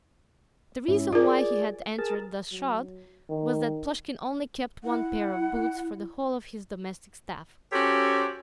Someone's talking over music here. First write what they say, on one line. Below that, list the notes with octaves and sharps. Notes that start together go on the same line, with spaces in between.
The reason why he had entered thus shod was that Plushkin only kept one pair of boots for the whole of his domestic staff.
G#2 C#4 E4
F4 G#4 A#4 D5
G#4 A#4 A5
F#3
D#3
E4 F#5
C#4 F#4 G4 A4 C5 C#5